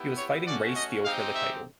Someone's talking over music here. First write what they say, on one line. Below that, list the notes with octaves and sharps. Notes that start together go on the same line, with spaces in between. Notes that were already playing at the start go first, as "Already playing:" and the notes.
He was fighting Ray Steele for the title.
Already playing: B3 E4 G4
C#5
A3 C#4 F#4 D5
D#5
G#3 C4 D#4 G4 F5
E5